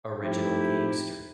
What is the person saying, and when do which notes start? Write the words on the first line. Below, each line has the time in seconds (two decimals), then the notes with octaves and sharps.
Original Gangster.
0.21 F3 A3 C4 D#4 E4 G4